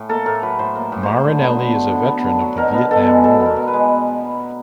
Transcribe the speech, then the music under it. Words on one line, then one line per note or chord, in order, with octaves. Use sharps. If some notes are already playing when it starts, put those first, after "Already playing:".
Marinelli is a veteran of the Vietnam War.
Already playing: A2
A#3 A4
A2 A#4
F#3 B4
A2 C5
A#3
A2
C5
F#3
D3
B3
D3
F#3
D3
B3
D3
F#3
B2 A#4
B3
B2 A4
G#3
B2 A4
B3
A#4
B2
B4
G#3